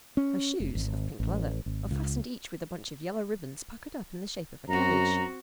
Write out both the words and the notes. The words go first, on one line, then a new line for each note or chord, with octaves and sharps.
Her shoes--of pink leather--are fastened each with a bunch of yellow ribbons puckered up in the shape of a cabbage.
C#4
F1
G#1
A1
G#1
C#2
F#2 C4 F#4 A#5